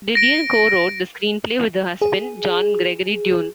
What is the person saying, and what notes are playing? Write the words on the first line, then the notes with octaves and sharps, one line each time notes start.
Didion co-wrote the screenplay with her husband, John Gregory Dunne.
A#6 D7
G#4